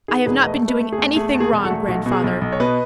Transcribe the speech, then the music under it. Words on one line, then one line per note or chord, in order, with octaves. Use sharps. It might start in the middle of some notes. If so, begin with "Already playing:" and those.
"I have not been doing anything wrong, Grandfather."
D#3 G#4
E1 G#4 B4
A3 B4 D#5
A3
B4 D#5
A3
G#4
E2
A3 G#4
E2
G#4
E1
F#4 A4
A3
B1 F#4
B2
G#4
B1
B1
C#5
B2 B4 D#5